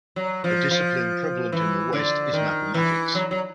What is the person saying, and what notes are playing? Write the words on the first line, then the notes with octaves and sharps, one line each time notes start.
A discipline prevalent in the West is mathematics.
F#3
F3
F3
E3
D3
D#3
E3
F#3
F#3